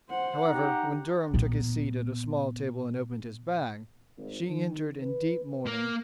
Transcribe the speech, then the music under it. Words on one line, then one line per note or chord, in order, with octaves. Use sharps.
However, when Durham took his seat at a small table and opened his bag, she entered in deep mourning.
C5 F#5
D#4 G4 F#5 A#5
A#2 B3
G#1
D#3
B4
A#3